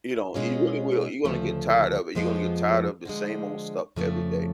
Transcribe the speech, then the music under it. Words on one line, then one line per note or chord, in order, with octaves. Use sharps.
You know, you really will. You're gonna get tired of it. You're gonna get tired of the same old stuff every day,
B2 G#3 C#4 F4
D2 C#3 F3 A3
F2 F3 G#3 B3 F4
D3 F3 G#3
F2 C#3 F3 A3